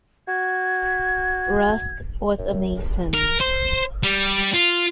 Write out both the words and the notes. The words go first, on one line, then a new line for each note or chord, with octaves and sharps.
Rusk was a Mason.
F#4 G#6
F#2
A#4
C5
G3
F4